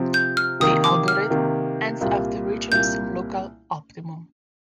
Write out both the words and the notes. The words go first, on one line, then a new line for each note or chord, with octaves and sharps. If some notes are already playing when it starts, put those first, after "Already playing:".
The algorithm ends after reaching some local optimum.
Already playing: C3 F3 C4
G6
F6
C3 D#3 A#3 D#6
D6
F6
C3 D#3 A#3
C2 A#2 G3 A#3 F4
C2 A#2 G3 A#3 F4 G6